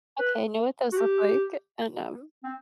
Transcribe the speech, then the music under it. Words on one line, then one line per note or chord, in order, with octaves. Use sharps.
Okay, I know what those look like and, um
B4
F#4
G4
C4